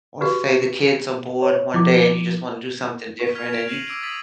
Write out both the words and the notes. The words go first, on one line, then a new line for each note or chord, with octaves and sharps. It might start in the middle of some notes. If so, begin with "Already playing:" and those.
or say the kids are bored one day and you just wanna do something different and you
F#4 G4 B4
C#5
F3 E4 D6
C#6 B6
F6 G#6 B6 F7
D7 F7
F6 A#6 C7 D#7 F#7
D6 E6 G#6 D7 F#7
D6 D#6 A6 B6 D#7 F#7